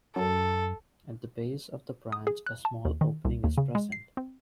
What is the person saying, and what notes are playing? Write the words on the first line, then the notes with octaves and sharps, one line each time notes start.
At the base of the branch a small opening is present.
F#2 A4
D#6
G#4
F#6
A5
D#2
D#3
C2
D#2
C#3
G#3
C7
C4